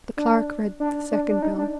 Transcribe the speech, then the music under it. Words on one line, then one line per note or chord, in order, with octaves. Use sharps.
The Clerk read the second bill.
D4
D4
D4
D4
D#4
D4